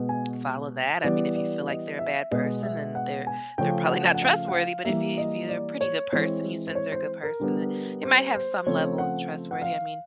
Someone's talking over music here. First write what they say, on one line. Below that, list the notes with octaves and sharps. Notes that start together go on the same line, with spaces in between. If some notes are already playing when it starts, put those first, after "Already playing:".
follow that I mean, if you feel like they're a bad person, then they're they're probably not trustworthy, but if you if you're a pretty good person, you sense they're a good person, then they might have some level of trustworthy I mean
Already playing: B2 G#3 B3
G#5
E3 G3 B3 D5
D5
D#5
E5
B2 G#3 B3 D#5
E5
F#5
G#5
C#3 F3 A3 C#4 G5
F#5
F#5
F5
F#5
F5
E3 G3 A#3 E5
D#5
D5
C#5
E3 G#3 C4 C#5
C5
C#5
C5
A#4
D3 G3 B3
C5
C5
C#3 F3 A3 C4 C#5
F#5
F#5
F5